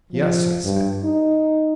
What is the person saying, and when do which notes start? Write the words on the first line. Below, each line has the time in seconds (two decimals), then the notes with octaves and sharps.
"Yes," I said.
0.13 F3
0.64 G2
1.04 D#4